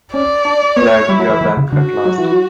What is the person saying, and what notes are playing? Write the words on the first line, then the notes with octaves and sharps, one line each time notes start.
Glad you're back at last.
C#4 D5
D4
B3 C#5
G3 E4
F#3
E3
E3
C#3
D3 F#4
F#3
E3
F#3